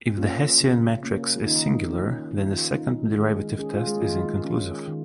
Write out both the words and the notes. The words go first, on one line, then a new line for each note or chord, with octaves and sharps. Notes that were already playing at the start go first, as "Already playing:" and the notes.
If the Hessian matrix is singular, then the second derivative test is inconclusive.
A#3 C#4 F4
C#3
A#3 C#4
F4
D#3 D#4
C#4
D#3 D#4
F4
C#4 D#4
D#3 G#3 G#4
C#4 G#4
F4
G#3 G#4
D#3 F4
C#4
D#3